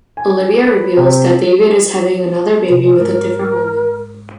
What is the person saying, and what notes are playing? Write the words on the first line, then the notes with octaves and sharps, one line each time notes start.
Olivia reveals that David is having another baby with a different woman.
G#5
B4
C3
C3 B4
G#2 G#3 A#4